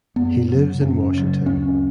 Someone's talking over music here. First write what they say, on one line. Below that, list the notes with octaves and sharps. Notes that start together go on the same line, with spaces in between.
He lives in Washington.
F#2 B3
C#3 F#3
F#2 C#4
C#3 F#3
D2 C#4